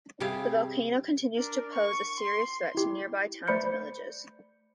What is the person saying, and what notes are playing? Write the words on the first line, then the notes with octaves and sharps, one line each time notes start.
The volcano continues to pose a serious threat to nearby towns and villages.
C3 G3 G4 G#4 F5
D4 A#4
C#6
C6
E4 G4
A3 C5 D5 B5 G6 C#7